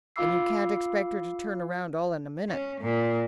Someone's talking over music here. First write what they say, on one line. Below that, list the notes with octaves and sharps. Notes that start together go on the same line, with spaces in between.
And you can't expect her to turn round all in a minute.
F4 F5 B5 D6 E6 C7
C#4
A#2